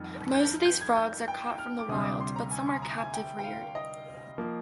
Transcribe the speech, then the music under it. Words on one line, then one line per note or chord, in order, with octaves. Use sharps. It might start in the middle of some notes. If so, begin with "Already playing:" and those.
Most of these frogs are caught from the wild, but some are captive-reared.
Already playing: F2 D#3 G3
G6
G6
G#6
G6
G5
F6
D6
D2 C3 G3 D#6
D#6
D6
C6
A#5
G#5
C6
A#5
G#5
G5
G5
F5
D#5
F3 A#3